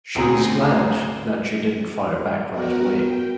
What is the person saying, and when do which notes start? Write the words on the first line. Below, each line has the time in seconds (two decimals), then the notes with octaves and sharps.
She is glad that she didn't fire back right away.
0.15 D2 A2 C4 G#4 A#5
2.50 B3 F#4 A#4
3.01 G5